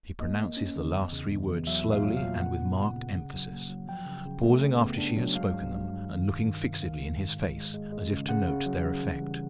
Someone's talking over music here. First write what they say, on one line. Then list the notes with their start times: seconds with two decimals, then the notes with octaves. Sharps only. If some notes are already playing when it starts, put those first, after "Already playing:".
She pronounces the last three words slowly and with marked emphasis, pausing after she has spoken them, and looking fixedly in his face, as if to note their effect.
0.20 A#3 D#5
0.40 A#3
0.57 C#4
0.76 D3
0.95 E2
1.12 C#3
1.30 E2
1.50 E2
1.67 F#3 E5
1.85 A#2
1.92 F5
2.05 F#3
2.17 F5
2.22 A#2
2.36 F5
2.41 C#3 F#5
2.59 B3
2.78 C#3
2.96 C#3
3.14 C#3
3.33 F#3
3.52 A#3
3.69 F#3
3.88 F3 G5
4.06 C#3
4.25 C#3
4.43 A3
4.62 C#3
4.80 B3
4.98 D4
5.17 F#3
5.36 G#3 F5
5.54 G2
5.72 G2
5.90 G2
6.09 D#3
6.27 C3
6.46 D#3
6.64 C3
6.82 D#3 F5
7.01 G#3
7.19 G#2
7.37 D#3
7.56 G#3
7.74 G#3
7.92 G#3
8.11 C#3
8.29 C#3 F#5
8.48 C#3
8.66 F#3
8.85 C#3
9.02 E3
9.21 G3